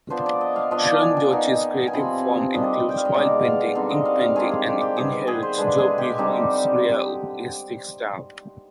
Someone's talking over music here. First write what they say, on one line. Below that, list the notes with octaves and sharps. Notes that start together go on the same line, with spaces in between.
Sun Duoci's creative form includes oil painting, ink painting, and inherits Xu Beihong's realistic style.
F3 B3 D4 C5
D5
D#5
F5
F3 B3 D4 D#5
D5
G#5
G#5
D#3 B3 D#4
G#5
C3 F3 C4 B5
D#3 G3 D4 D#5
G5
F5
D#5
B2 G#3 B3 D#4 D5
F5
D3 G3 C4 D#4 F5
D#5
F5
F5
D#3 G#3 D4 G#4
G#4
G4
G4
D#3 G3 B3 G#4
B4
G#4
C5
D3 G#3 D4 B4
G#4
G4
D3 G3 C4 D#4